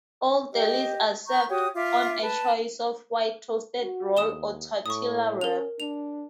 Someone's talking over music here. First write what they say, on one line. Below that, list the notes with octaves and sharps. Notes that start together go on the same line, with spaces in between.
All delis are served on a choice of white toasted roll or tortilla wrap.
G4 D#5
A#5 C#6 G6
F#4 G4 C#5 D#6
F4 E5 D6
B4 A5
F#4
D#2 D#6 E7 G7
A2 C#6 D#6
C#4 A#4 F7
D4 F7